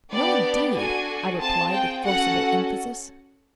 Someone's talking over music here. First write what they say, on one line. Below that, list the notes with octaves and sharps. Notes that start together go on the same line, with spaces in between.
"No, indeed!" I replied with forcible emphasis.
B3 D4 G4 D5
D4 F#4 A4 G#5
C4 F4 G#4 A5
G5
C#4 F#4 A4 F#5